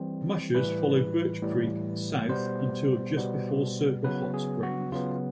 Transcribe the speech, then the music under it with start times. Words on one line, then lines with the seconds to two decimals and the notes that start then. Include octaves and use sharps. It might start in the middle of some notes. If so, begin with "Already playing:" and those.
Mushers follow Birch Creek south until just before Circle Hot Springs.
Already playing: E3 G3 C4
0.55 A2 E3 G3 B4
1.42 A2 E3 G3
2.29 B2 G3 B3 C5
3.17 B2 G3 B3
4.04 C#3 F#3 B3 B4
4.34 G#4
4.63 F#4
4.91 C#3 F#3 B3 F4